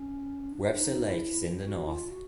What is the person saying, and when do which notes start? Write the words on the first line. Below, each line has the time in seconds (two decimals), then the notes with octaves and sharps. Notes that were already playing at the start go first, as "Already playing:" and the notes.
Webster Lake is in the north.
Already playing: C#4
0.52 D4
0.80 D#4
1.09 E4
1.64 F#4
1.87 E4
1.93 F4
2.10 F#4